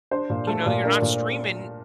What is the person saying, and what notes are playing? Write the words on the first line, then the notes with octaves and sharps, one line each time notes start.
you know, you're not streaming
D4 C5
A#2
A3 A4
A#2
D4 A#4
A#2